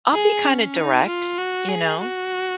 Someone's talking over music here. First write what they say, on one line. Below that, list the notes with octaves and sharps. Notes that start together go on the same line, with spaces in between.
I'll be kinda direct. You know?
G#4
C#4
D#4
F4
F#4
G#4
F#4